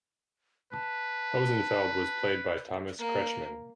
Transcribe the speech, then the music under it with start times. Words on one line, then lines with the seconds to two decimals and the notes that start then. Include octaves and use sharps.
Hosenfeld was played by Thomas Kretschmann.
0.72 B4 A5
2.99 A#3